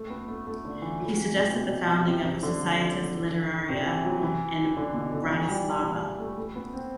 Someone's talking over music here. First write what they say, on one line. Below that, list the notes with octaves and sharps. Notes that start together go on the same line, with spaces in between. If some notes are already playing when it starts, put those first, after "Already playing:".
He suggested the founding of a Societas litteraria in Bratislava.
Already playing: A3
B3
A3
A3
D3
E3
F#3
E3
C3
B2
C3
C3
D3
C3
E3
F#3
E3
D3
B2
D3
E3
G3
E3
A3
A3
B3
C4